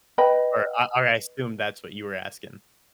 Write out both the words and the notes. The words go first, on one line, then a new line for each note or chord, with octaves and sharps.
Or I or I assume that's what you were asking.
B4 D#5 G5 B5